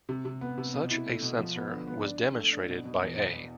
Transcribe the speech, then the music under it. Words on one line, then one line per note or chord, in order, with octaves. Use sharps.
Such a sensor was demonstrated by A.
C3
C3
B3
C3
B2
E4
A3
B2
F3
B3
D3
B3
D4
D4
A3
D4
B2
B2
E2
B2